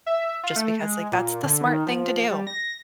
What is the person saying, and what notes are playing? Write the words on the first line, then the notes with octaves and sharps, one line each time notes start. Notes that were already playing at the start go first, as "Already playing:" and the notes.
just because, like, that's the smart thing to do,
E5
F4
A3
G#3
A#2
D3
D#3
F3
G3
A#6